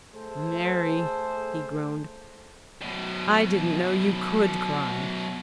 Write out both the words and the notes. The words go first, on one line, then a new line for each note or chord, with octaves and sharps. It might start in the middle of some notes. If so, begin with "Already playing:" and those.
"Mary," he groaned, "I didn't know you COULD cry!"
A3 G#4 A4 C5
F#2 B2